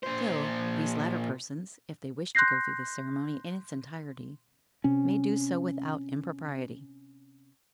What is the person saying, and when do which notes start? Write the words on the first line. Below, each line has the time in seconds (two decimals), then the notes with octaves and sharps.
Still, these latter persons, if they wish to go through the ceremony in its entirety, may do so without impropriety.
0.03 A#2 C5
2.35 C6 F#6 G6 A#6 C7
4.84 C3 C#4